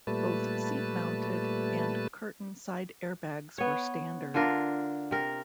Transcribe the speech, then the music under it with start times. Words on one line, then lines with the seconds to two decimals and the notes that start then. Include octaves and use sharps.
Both seat-mounted and curtain side airbags were standard.
0.07 A#2 G3 A3 B4 A5
3.58 B3 C#5
4.34 D3 D4 F4 A#4
5.11 C3 A#4